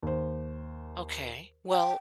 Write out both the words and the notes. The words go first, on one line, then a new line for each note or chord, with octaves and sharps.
Okay. Well,
D#2 C5
G5